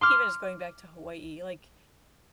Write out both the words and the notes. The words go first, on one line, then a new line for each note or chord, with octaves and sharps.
even just going back to Hawaii, like,
C6 D6 F6